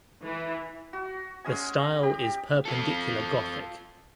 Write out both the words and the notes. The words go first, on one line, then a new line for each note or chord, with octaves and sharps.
The style is Perpendicular Gothic.
E3
F#4
G#3 C#4 D#5 G#5
G4
F4 A4